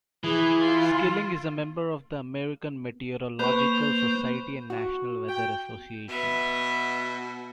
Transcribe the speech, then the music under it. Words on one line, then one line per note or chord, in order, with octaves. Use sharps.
Skilling is a member of the American Meteorological Society and National Weather Association.
E3 G#4
F4
A#3 B4 C5 C#6
F#4
G5
B2 B3 E5